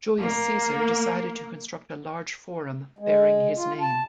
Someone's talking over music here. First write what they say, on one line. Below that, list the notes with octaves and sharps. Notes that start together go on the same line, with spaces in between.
Julius Caesar decided to construct a large forum bearing his name.
A#3
G#3
F4
A5